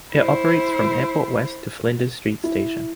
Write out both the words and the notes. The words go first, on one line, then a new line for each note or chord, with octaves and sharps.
It operates from Airport West to Flinders Street station.
E4 C5
E4